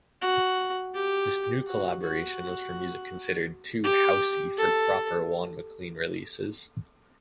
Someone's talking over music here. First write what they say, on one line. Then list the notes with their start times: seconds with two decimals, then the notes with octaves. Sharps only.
This new collaboration was for music considered "too 'housey' for proper Juan Maclean releases".
0.22 F#4
0.95 G4
1.67 F#4
2.04 F#4
3.84 G4
4.57 A4